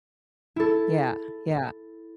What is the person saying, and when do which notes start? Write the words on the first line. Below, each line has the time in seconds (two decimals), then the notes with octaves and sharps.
Yeah, yeah.
0.56 E4 A4